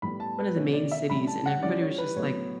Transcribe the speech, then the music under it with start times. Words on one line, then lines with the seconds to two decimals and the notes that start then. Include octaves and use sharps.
one of the main cities, and everybody was just, like,
0.02 A2 G3 B3 B5
0.20 A5
0.39 B4
0.56 B2 A3 C#4 C#5
0.73 D5
0.91 E5
1.10 A2 G3 C#4 B5
1.27 A5
1.46 F#5
1.63 E3 G3 C#4 D5
1.81 C#5
1.98 B4
2.16 A2 F#3 B3 C#5